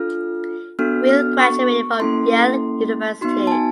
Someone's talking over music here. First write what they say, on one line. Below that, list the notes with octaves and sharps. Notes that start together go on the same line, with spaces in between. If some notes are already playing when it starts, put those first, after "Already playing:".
Weil graduated from Yale University.
Already playing: D4 F4 A4 F6
B3 D4 F#4 A4 F6
F6
C#6
A#3 C#4 E4 A4 C6
B3 D#4 F#4 C6
A5
G#5